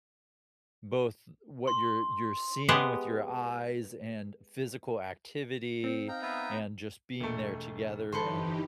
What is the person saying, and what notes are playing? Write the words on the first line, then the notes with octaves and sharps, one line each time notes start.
both what you're you're seeing with your eyes and physical activity and just being there together, and
C6
G#3 B3 G4 G#4 C5 F#5
C4
D#4 F5 G5 A#5
B3 E5 F5
E1 A3
G1 E3 D#4 G4 A4 B4 C5 B5